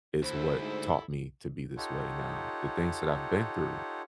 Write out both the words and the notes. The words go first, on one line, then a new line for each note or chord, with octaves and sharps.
is what taught me to be this way now, the things that I've been through,
D2 E4 A4 C5
G#2
D#4 F4 G4 A4 C#5 F#5